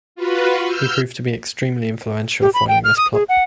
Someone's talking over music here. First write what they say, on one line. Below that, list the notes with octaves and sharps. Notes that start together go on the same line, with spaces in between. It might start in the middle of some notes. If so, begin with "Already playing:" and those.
He proved to be extremely influential foiling this plot.
F4 F#4 B4
E6 F6 G6
G4
B5
G5
F6
D#6
G#4
F#5